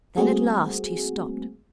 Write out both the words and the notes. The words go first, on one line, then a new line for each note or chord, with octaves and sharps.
Then at last he stopped.
G3 A3 A#3 C4 F#4 G#4